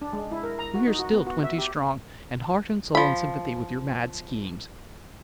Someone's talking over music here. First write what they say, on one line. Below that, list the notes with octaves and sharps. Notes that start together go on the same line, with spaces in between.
We are still twenty strong, and heart and soul in sympathy with your mad schemes.
D4
G#3
E4
A#4
A#5
F#4
D#4
F#4
B3
F#4
E5
G4
F3 B5